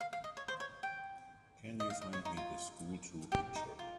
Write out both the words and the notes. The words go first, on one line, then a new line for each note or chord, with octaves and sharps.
Can you find me the SchoolTool picture?
F5
F5
D#5
C#5
C5
C#5
G5
D#5
F5
D#5
C#5
D#4
F4
G4
D#4
F4